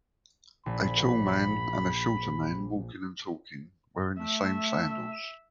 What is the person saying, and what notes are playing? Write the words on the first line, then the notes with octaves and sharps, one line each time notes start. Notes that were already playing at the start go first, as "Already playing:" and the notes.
A tall man and a shorter man walking and talking, wearing the same sandals.
A#1 B5
A3 E5